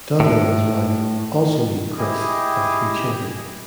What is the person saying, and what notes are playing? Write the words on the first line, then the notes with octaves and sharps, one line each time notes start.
Dudley and his wife, also named Chris, have three children.
A2
E4 G4 G#4 D#5